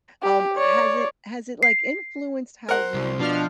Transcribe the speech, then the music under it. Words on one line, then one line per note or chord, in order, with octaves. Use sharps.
Um, has it has it, like, influenced how you
G4
C#5 D5
C7
A#4 C5 F#5
C2
B2 F3 D4 F6